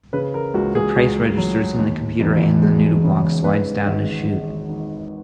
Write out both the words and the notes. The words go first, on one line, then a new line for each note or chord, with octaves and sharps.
The price registers in the computer and the noodle box slides down a chute.
C#3 B4
A#4
C#2 F#4
G#4
C#2 F#4
F#3
D#2
E1
G#3
C#3
G#2 B4
G#1
G#3
D#3